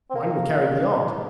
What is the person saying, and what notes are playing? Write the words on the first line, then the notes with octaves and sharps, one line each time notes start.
Mine would carry beyond.
C4
A#3